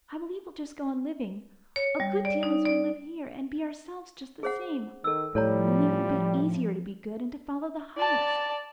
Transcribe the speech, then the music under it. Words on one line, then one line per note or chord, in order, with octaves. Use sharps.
I believe we'll just go on living, a good deal as we live here--and be OURSELVES just the same--only it will be easier to be good and to--follow the highest.
C#5
G3
D5
D#4
D5
G#4 C5 F#5
D#3 A4 E6
A2 F3 G3 A4 C#5 A#5
D5 A5